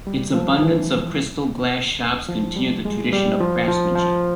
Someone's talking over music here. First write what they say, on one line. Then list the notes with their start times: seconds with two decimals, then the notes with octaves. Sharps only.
Its abundance of crystal glass shops continue the tradition of craftsmanship.
0.07 G3
0.34 F3
0.62 E3
2.29 F3
2.56 G3
2.85 G#3
3.13 G3
3.40 F3
3.68 F3
3.96 F3